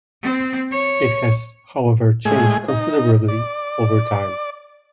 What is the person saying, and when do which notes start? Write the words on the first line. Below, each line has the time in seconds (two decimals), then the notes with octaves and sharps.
It has however changed considerably over time.
0.22 C4
0.71 C#5
2.25 A2 G#3 G#4
2.68 D#4
3.28 D5